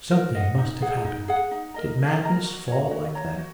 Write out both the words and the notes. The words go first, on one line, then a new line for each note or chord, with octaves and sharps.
Something must have happened. Did madness fall like that?
A#4
D#5 F#5
D#4
G#4 F#5
D#4
G#4 F#5
D#4
A#4 D#5 A#5
D#4
A#4 D#5 A#5
F#4
C#5 A#5
F#4
C#5 A#5
F#4